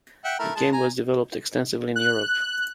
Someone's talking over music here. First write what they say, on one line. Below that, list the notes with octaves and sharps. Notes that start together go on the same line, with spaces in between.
The game was developed extensively in Europe.
E5 F#5 G5
A3 E4 A#4
G#3 A5
G#5 A#5
F#6